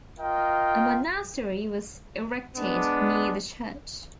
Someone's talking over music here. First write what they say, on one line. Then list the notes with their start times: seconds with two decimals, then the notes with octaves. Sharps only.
A monastery was erected near the church.
0.18 F4 A#4 D#5 G5
2.55 G#3 B3 D4